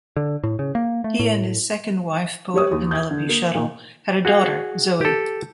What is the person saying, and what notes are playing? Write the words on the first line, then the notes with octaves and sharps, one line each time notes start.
He and his second wife, poet Penelope Shuttle, had a daughter, Zoe.
D3
A2
C#3
A#3
A3
A2
G3 G4 C#5 D#6
D#2
G6 G#6
D3
A#3
A#2 A#3 D#4
F#4 G#4 F5
G4 A4